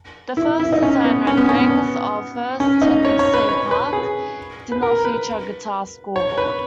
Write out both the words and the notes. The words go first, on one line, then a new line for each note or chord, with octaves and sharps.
The first design renderings of First Tennessee Park did not feature a guitar scoreboard.
E4
E4
D#4
C#4
B3
C#4
B3
C#4
B3
C#4
D#4
C#5
C#5
B4
C#5
B4
G#4
B4
A#4
B4
C#5
B4